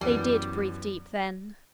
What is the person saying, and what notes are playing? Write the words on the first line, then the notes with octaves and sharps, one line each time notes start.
They did breathe deep then!
F#2 E3 G3 B3